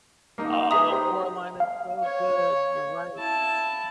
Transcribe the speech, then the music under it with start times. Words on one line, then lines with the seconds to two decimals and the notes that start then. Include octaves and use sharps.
Oh, Coraline is so good, you're right.
0.38 A#3 D#4
0.71 D#4 G#4 B4 E5 A#5 D#6
0.91 G4 C5
1.60 F5
2.03 C#5
3.17 E4 A5